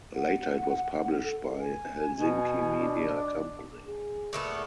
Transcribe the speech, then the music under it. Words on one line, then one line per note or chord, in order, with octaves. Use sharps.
Later it was published by Helsinki Media Company.
F#5
A4
G#5
B2
D4
G#4
A#2 A3 B3